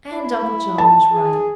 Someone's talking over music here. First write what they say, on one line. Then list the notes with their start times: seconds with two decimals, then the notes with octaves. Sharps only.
And Uncle John was right.
0.13 E4
0.78 A5
1.11 G#4